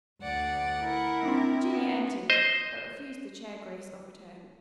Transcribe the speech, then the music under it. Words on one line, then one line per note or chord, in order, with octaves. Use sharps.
Virginia entered, but refused the chair Grace offered her.
D2 D5 F#5
E4 A#4
C4 D4 D#4
B3
C5 D#5